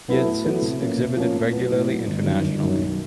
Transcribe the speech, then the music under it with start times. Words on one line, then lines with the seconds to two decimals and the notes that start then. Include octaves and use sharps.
He has since exhibited regularly internationally.
0.08 F#3 B3 E4 A4
0.26 A2
0.44 F#3 B3 E4 A4
0.62 C3
0.80 F3 A#3 C#4
0.98 C3
1.16 F3 A#3 C#4
1.34 A2
1.52 F#3 B3
1.70 A2
1.88 F#3 B3
2.07 G1
2.24 F#2 D#3
2.42 G1
2.61 F#2 D#3
2.78 B1